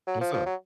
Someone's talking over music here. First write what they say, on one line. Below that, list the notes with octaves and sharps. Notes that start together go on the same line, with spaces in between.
What's up?
F#3
F3
F3
F#3